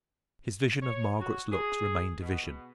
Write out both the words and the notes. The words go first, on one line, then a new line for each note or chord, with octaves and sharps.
His vision of Margaret's looks remained a vision.
C#5
F#4
G#4
B2